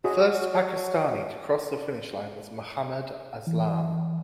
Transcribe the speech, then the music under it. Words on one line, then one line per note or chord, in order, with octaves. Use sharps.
The first Pakistani to cross the finish line was Mohammad Aslam.
F#3 F#4 G#4 D#5
E3